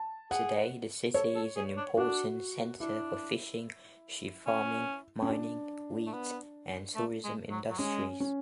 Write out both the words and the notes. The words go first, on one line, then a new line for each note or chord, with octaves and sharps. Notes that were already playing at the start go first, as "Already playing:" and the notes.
Today, the city is an important center for fishing, sheep farming, mining, wheat, and tourism industries.
Already playing: A5
G#4 F#5
A4 C#5
A4
G#4
D4
D4 F#4
D4 E4
C#4
C#4
D4
A3
B3
A3
G#3
F#3
F#3
G#3 C#4
C#4